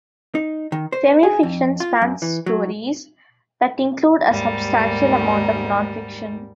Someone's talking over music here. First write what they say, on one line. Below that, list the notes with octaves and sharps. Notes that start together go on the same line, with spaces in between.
Semi-fiction spans stories that include a substantial amount of non-fiction.
D#4
D#3
C5
G#4
F2
F4
F#2
E3
F#3
D#2 G#2 G3 A#4